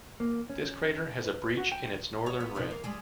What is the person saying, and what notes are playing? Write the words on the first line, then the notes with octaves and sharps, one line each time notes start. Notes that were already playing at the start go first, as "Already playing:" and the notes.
This crater has a breach in its northern rim.
A#3
C#4
B4
F#4
G5
C#5
B3
C3 B3 D#4
A#3
G3 G#3 G#4